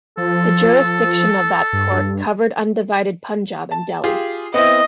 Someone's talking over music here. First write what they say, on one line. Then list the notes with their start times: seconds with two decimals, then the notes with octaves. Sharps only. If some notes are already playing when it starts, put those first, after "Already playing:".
The jurisdiction of that court covered undivided Punjab and Delhi.
0.17 F3 A4
1.73 G2
3.71 A5
4.04 F4 G4 G#4
4.54 B3 C4 E4 D#5